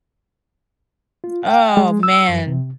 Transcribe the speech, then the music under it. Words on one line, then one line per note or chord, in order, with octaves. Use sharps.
Oh man.
F4
G5
G#3
E6
F#2
C3